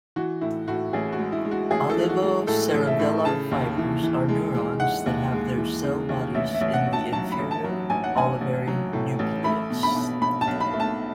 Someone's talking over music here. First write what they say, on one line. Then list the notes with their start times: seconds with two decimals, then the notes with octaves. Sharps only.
Olivocerebellar fibers are neurons that have their cell bodies in the inferior olivary nucleus.
0.16 E3 F#4
0.41 A2 E4
0.67 A2 F#4
0.93 A1 G#4
1.12 F#4
1.19 G#3
1.32 E4
1.45 G#3
1.51 F#4
1.71 A1 G#4
1.90 A4
1.97 E3
2.09 F#4
2.22 G#3
2.47 A2 A4
2.74 A1
2.87 E5
2.99 A2
3.25 C#3 A5
3.51 D#2
3.77 E3
4.03 E3
4.29 G#3
4.54 G#3
4.80 E3 F#5
5.06 D#2
5.32 G#3
5.57 E3
5.83 C#3
6.09 D#2
6.34 A1 E5
6.54 E5
6.61 A1
6.73 F#5
6.87 A1
6.93 A5
7.13 F#3 A5
7.32 B5
7.38 A1
7.51 A5
7.64 F#3
7.90 A1 G#5
8.04 F#5
8.16 A1 G#5
8.41 A1
8.67 F#3
8.93 A2
9.19 A1
9.44 A3 B5
9.70 B2
9.83 B5
9.96 B2
10.22 B2 B5
10.41 A5
10.47 B1
10.60 B5
10.73 A3
10.80 A5